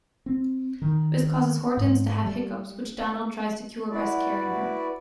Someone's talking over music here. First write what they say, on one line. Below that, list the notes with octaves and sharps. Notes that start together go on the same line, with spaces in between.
This causes Hortense to have hiccups which Donald tries to cure by scaring her.
C4
D#3
G#2
G3
E4 F#4 B4 D5